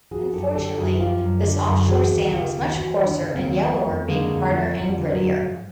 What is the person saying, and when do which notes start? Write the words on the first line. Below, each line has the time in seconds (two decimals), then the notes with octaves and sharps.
Unfortunately this off shore sand was much coarser and yellower being harder and grittier.
0.11 F3 F#4 G#4
0.33 F#2 G4 A4
0.55 D3 G4 A4
0.77 F#2 F#4 G#4
0.99 F3 F4 G4
1.21 F#2
1.43 D3
1.66 F#2
1.88 E3 F#4 G#4
2.10 D#2
2.31 C#3 F4 G4
2.53 D#2
2.64 G4
2.76 E3 E4 F#4
2.98 D#2
3.05 D4 E4
3.20 C#3
3.35 A#3 C4
3.42 D#2
3.64 F3 A3 B3
3.86 F2
4.08 D3 G#3 A#3
4.30 F2
4.52 F3
4.74 F2
4.82 F3 G3
4.96 D3
5.11 F#3
5.19 F2
5.41 G#2 F3